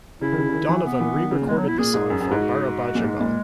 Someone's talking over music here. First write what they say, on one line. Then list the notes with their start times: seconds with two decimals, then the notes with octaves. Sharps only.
Donovan re-recorded the song for "Barabajagal".
0.21 C#3 E4
0.32 D#3
0.38 C#3
0.49 C#3
0.53 D#3
0.69 E3
0.85 B3
1.00 E3
1.16 D#3
1.31 C#3
1.42 A#2
1.47 B2 G#3
1.58 F#3
1.68 E4
1.78 A#2 G#4
1.94 G#2
2.10 F#2
2.20 F#2
2.31 G#2 E4
2.42 F#4
2.95 A#2
2.99 F#3
3.04 G#2 G#3
3.20 A#2